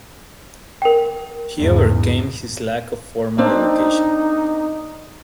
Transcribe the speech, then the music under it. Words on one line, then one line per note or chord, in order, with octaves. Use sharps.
He overcame his lack of formal education.
A#4 G5
E2 G#2 C#3
A#3 C4 D4 D#4